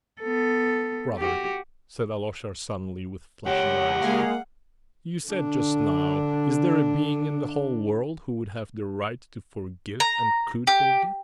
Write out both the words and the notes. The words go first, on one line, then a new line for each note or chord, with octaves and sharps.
Brother," said Alyosha suddenly, with flashing eyes, "you said just now, is there a being in the whole world who would have the right to forgive and could forgive?
B3 A4
F#4 G4
C#2 G4 C#5 F#5
G#3 A#3 G#4 F5
D3 D4
A#5
G4